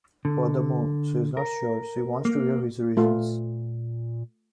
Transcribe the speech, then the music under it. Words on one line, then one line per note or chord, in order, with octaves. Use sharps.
Furthermore, she is not sure she wants to hear his reasons.
D3
A#4
A#3
A#2 A3 F4